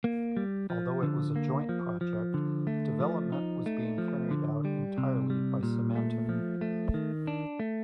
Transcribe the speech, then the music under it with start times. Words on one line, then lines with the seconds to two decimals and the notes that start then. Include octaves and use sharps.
Although it was a joint project, development was being carried out entirely by Symantec.
0.04 A#3
0.37 G3
0.70 F3
1.03 D3
1.36 A#3
1.69 F3
2.01 F3
2.34 D3
2.67 A3
3.00 F3
3.32 D#4
3.66 A3
3.98 F3
4.31 D3
4.65 G3
4.98 C3
5.30 G3
5.63 A#2
5.96 A3
6.29 F3
6.61 A3
6.94 D#3
7.27 D4
7.60 A3